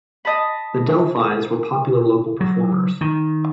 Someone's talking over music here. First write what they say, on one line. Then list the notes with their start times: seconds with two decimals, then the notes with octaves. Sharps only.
The Del-Phis were popular local performers.
0.25 D#5 A5 B5
2.41 F#3
3.01 D#3